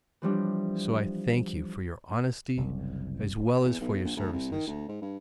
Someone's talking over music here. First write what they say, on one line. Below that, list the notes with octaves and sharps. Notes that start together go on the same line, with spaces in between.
So I thank you for your honesty as well as for your services.
E3 F3 G3 D4
F#1 C2
E2
B1
A#1
D2
C2
D#3
D2
G#2
G2